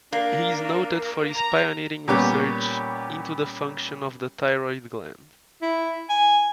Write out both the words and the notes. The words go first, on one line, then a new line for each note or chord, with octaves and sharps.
He is noted for his pioneering research into the function of the thyroid gland.
A#3 D4 A#4
A#5
A#2 G3 B3 C#4 G4
E4
G#5